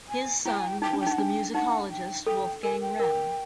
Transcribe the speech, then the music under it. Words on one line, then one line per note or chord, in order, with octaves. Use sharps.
His son was the musicologist Wolfgang Rehm.
G#5
E4 G5
G#5
G5
D#4 G5
D4
G5
D#4
F#5
D4 G5
D#4 F#5
G5
A4 G5
A#4 G#5
G5
A#4